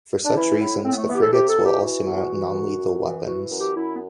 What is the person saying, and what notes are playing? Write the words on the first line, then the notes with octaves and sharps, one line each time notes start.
For such reasons, the frigates will also mount non-lethal weapons.
D4
E3 E4
A2
A2 C4
B3
A3
E3 B3
G4
A4
C3 G4
A4
E2
G4
E3 F#4
E2
E3
F#2
F#2
E3
E3 F#4
F#2
G4
F#2 E4
B3